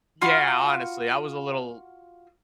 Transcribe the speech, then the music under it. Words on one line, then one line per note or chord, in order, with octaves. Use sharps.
Yeah, honestly, I was a little
F4 F#4 F5 B5